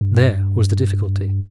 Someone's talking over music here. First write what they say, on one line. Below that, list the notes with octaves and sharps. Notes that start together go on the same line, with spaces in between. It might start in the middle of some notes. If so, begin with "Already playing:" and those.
There was the difficulty.
G2